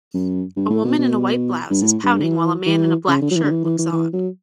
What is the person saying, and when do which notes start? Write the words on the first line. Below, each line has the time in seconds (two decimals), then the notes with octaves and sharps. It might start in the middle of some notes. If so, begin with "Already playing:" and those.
A woman in a white blouse is pouting while a man in a black shirt looks on.
0.14 F#2
0.57 G2
0.70 A2
0.85 B2
0.98 B2
1.71 G2
1.82 A2
2.04 G2
2.20 D3
2.24 E3
2.66 E3
3.08 C#3
3.22 D3
3.31 F#3
3.36 E3
3.44 D3
3.51 E3
3.64 E3
3.79 E3
3.92 E3
4.13 F#3